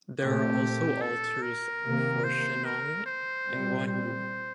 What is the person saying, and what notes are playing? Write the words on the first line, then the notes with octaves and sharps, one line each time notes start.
There are also altars for Shennong and Guan Yu.
A#2 A3 C4 G4
A4
A#4
C3 D#3 A#3
C5
A#4
C5
A#2 G3 C4
C5